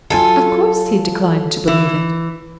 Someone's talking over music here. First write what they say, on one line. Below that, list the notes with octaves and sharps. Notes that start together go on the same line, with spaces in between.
Of course he declined to believe it.
F#3 F4 A4 G#5
E3